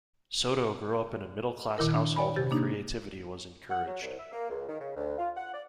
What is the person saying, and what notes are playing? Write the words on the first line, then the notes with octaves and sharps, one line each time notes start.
Soto grew up in a middle class household where creativity was encouraged.
A#2 D#3 E4 A#4
D4
C#5 D5 G#5 B5
C3 G4 A6
A#3 D4 D#4
F#5
F#3
C2
E5
A#3
C#2
D#3
C#3
D2
F4
F#5
D5